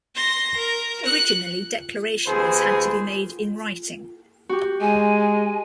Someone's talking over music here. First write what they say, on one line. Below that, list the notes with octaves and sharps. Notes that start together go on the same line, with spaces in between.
Originally, declarations had to be made in writing.
C6 A#6
A#4
F#6 C#7
D#2 G#4 B4 C5
F#4 G4
G#3 G#5